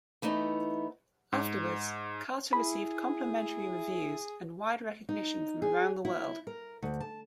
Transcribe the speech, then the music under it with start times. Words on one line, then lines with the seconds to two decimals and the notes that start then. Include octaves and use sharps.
Afterwards Carter received complimentary reviews and wide recognition from around the world.
0.22 E3 A3 B3 D#4
1.33 G#2
2.53 E4 G#4 B5
5.09 D#4
5.62 G#4
6.05 E4
6.47 A#4
6.82 D2
7.01 A5